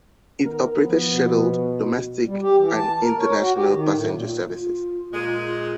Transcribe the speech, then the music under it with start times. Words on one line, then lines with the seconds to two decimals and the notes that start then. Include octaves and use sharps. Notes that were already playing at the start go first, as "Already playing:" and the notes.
It operated scheduled, domestic and international passenger services.
0.43 D#3 B3 A#4
0.80 F3 B3
1.14 B2
2.26 G3
2.41 G4
2.58 E3
2.76 A5
3.01 A#4
3.19 C#5
3.39 F#4
3.55 G4
3.71 D#3
3.92 A2
4.12 A#2
4.49 F4
5.13 A#2 G#3